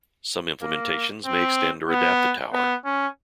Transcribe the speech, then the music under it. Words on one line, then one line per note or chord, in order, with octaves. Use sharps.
Some implementations may extend or adapt the tower.
A#3
C4
B3
B3
C#4